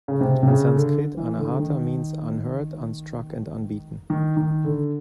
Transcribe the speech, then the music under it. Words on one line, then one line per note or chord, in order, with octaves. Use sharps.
In Sanskrit, "anahata" means "unhurt, unstruck, and unbeaten".
C#3
C3
C3
C#3
D3
E3
D3
D#3
D#3
D#3
D3